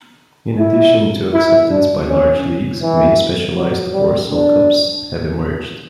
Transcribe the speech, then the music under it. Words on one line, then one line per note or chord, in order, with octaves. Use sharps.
In addition to acceptance by large leagues, many specialized "Warsow" cups have emerged.
E4
E4
D4
C#4
E3
F#3
G3
D4